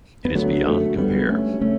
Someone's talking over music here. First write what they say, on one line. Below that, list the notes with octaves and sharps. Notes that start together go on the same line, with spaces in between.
It is beyond compare.
B3
D2 D3 F#3 A3
F#3 A3
G3 B3
A3 C#4
C#3 A3 C#4